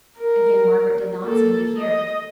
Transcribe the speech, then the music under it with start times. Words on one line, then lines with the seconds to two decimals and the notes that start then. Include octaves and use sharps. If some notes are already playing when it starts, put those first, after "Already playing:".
Again Margaret did not seem to hear.
0.18 A#4
1.23 A#3 A4
1.78 D#5